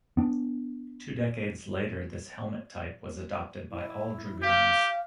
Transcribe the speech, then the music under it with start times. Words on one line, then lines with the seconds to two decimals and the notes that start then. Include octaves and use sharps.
Two decades later this helmet type was adopted by all dragoons.
0.17 B3 D4
3.72 E4
4.42 G4 F5